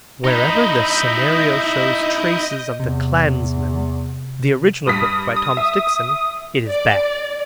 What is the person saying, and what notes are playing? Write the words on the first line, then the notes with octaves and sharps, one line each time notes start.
Wherever the scenario shows traces of The Clansman, the original book, by Thomas Dixon, it is bad.
D#4 E4 D#5 G6
E2 C3
G2 D#6 B6
D#6
E5
D5